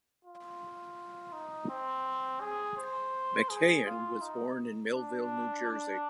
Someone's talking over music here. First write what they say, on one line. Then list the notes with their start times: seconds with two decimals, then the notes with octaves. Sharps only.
McKeighan was born in Millville, New Jersey.
0.25 F4
1.32 D#4
1.69 C4
2.41 G#4
2.77 C5
3.49 G#4
3.86 F4
4.21 D#4
4.94 D4
5.67 D4